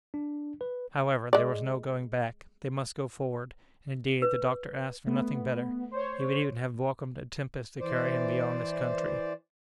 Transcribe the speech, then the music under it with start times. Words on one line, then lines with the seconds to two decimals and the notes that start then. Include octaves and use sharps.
However, there was no going back; they must go forward; and, indeed, the doctor asked for nothing better; he would even have welcomed a tempest to carry him beyond this country.
0.14 D4
0.61 B4
1.33 G#3 D5
4.22 B4
5.07 A3 B3
5.91 C5 C#5
7.80 E3 C5 D5